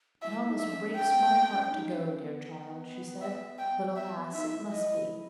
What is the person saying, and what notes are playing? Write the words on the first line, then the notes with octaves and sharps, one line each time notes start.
'It almost breaks my heart to go, dear child,' she said, 'but, alas! it must be.'
E4 E5
D#4
E5
C#4
C#4 G5
C#4
B3
A#3
C#4
D#4
C#4
B3
E5
G5
B3 E5
B3
D#4 E5
E4
D#5